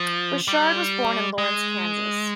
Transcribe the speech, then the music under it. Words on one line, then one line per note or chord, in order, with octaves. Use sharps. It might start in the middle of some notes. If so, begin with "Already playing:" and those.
Burchard was born in Lawrence, Kansas.
Already playing: F3
G3
G#3